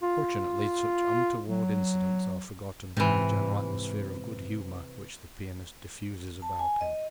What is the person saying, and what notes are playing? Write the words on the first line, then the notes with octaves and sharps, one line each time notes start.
Fortunately such untoward incidents are forgotten in the general atmosphere of good-humor which the pianist diffuses about him.
F4
F#3
G#2 C3 E3
A5
G#5
D#5